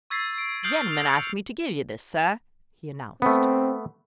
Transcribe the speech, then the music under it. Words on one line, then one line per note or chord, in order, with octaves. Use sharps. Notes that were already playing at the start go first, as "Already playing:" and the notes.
"The gentleman asked me to give you this, sir," he announced.
C#6 E6 G#6 A6 B6 C7
D7
D#6 F6 G6 C7 D7 F#7
F6 F7
C#7
A3 B3 C4